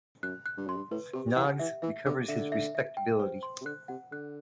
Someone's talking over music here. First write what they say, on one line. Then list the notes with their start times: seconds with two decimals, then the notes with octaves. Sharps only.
Noggs recovers his respectability.
0.23 F#2 F#6
0.46 F#6
0.57 G2
0.67 F#2 C6
0.77 G2
0.91 A2 B4
1.13 C3 G4
1.36 E3 F#5
1.59 E3 E5
1.82 E3 E5
2.06 D3 D6
2.28 D3 E5
2.52 E5
2.75 E5
2.97 G5
3.20 C5
3.43 C6
3.61 C3
3.66 D3 F#6
3.88 C3 F#5
4.12 D3 F#6